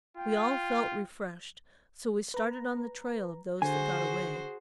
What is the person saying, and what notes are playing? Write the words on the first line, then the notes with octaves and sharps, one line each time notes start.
We all felt refreshed; so we started on the trail of those that got away.
F4 G5
B4 A#5
D3 F#4 G#4 C5 G#5